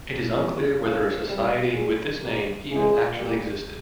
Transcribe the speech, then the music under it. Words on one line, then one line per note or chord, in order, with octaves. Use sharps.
It is unclear whether a society with this name even actually existed.
C3 G3 A#3 C#4
C3 G3 C#4 F4
C3 G3
C#3 G3 F4 G#4
A#2 G#3 G4 A#4
C#3 E3 G#3 F4 G#4
A#2 G3